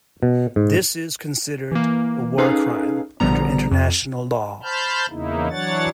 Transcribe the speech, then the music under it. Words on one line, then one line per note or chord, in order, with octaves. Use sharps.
This is considered a war crime under international law.
B2
G#2
E3 A#3
C#4 D#4 G#4 A4 B4 F5
A#1 D3 F3 G3 B3 A#5
F2
C5 A5 B5 F6 G6
E2 C#3 A#3 D#4 E4
E3 F#3 D4 C#5 F#5 A6